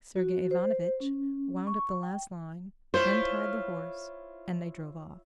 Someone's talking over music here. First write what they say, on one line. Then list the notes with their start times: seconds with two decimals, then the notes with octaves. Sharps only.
Sergey Ivanovitch wound up the last line, untied the horse, and they drove off.
0.16 F#4
0.51 C5
1.00 C#4
1.67 C#6
2.03 G5
2.94 E4 F4 C5 C#5